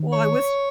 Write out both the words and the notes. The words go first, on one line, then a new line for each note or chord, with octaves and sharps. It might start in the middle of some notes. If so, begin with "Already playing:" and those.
Well, I wish
Already playing: D#3
C#5